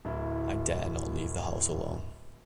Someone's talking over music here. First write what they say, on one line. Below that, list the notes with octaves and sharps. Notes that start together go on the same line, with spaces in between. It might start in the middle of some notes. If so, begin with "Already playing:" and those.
I dare not leave the house alone.
D1 E4